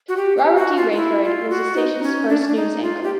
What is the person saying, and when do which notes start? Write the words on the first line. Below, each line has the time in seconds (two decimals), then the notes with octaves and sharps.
Robert D. Raiford was the station's first news anchor.
0.08 F#4
0.17 G4
0.37 G4
0.57 F#4
0.77 F4
0.92 D#4
0.96 E4
1.24 F4
1.50 F#4
1.76 D#4
2.03 C#4
2.29 D4
2.41 C#4
2.48 D4
2.56 D#4
2.83 F4
3.03 G4